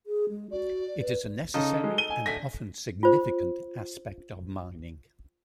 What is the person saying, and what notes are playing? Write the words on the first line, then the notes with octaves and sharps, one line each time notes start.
It is a necessary, and often significant, aspect of mining.
G#4
G#3
F#4 D5
B4
C#3 D#4 A4 D#5
G#3
D#7 G7
G#5
A2 D3 G#5 A#6 B6
F4 C5